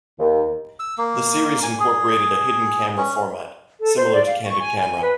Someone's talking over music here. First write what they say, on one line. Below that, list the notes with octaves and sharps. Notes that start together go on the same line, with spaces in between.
The series incorporated a "hidden camera" format similar to "Candid Camera".
D#2
E6
A#3
G#5
G#4
C#4
A4
C5
D5
F5
C#6
G#5
G#5
B4